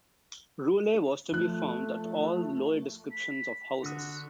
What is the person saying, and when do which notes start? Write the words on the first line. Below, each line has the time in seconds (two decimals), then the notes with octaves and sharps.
Roulette was to be found at all the lower descriptions of houses.
1.32 F3 A3 F#6
3.11 B5
3.83 D3 F#4 D#6